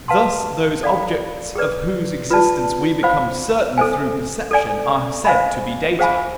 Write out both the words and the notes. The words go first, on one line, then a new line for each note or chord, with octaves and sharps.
Thus those objects of whose existence we become certain through perception are said to be data.
B4 F5 A5 C6
A4 D5 F5 B5
G#4 B4 D5
F4 B4 D5 A5
C5 F5 B5
A4 C5 G#5
A4 D5 G#5
C5 F5 G#5 B5
G#4 C5 F5 G#5 B5